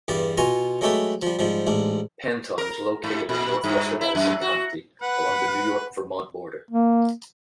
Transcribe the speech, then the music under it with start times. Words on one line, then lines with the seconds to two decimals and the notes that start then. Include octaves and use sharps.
Panton is located in northwestern Addison County, along the New York-Vermont border.
0.08 E2 G2 G3 D5
0.38 B2 F4 G#5 A#5 C#6
0.81 F#3 G#3 A3 G4 A4 B4
1.22 F3 G3
1.39 G#2 F3 G3
1.67 A1 G#2 D4
2.58 A#4
3.04 G#2
3.29 A#2
3.64 G2
4.01 E4
4.15 F#2
4.41 F#4
5.02 B4 F#5 B5
6.71 A#3